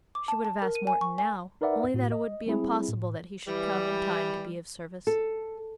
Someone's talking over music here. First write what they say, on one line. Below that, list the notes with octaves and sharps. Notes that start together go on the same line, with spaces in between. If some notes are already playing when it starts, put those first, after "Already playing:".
She would have asked Morton now only that it would be impossible that he should come in time to be of service.
D6
A5
A5
A#4
D#7
G#5
C#6
G#5
D#4 A#4 B4 D5 E5 F#5
A2 F#4
D#5
G3 C4 E4 G#4
A2
E3 G3
A4